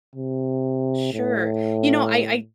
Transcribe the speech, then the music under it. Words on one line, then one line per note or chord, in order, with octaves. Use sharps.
Sure, you know, I
C3
A2